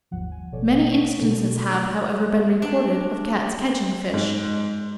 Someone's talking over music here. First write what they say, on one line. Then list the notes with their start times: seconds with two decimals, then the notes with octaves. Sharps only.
Many instances have, however, been recorded of Cats catching fish.
0.11 G1 D#2 G#2 F3 G3 F#5
0.32 G#5
0.52 G#1 B2 A4 C#5 D5
0.91 A#1 A3 D#4 C#6 B6 D7
1.20 B2 D3 F3 G3 A4 A#4
1.68 D5 D6 D7
2.62 D4
4.14 G#2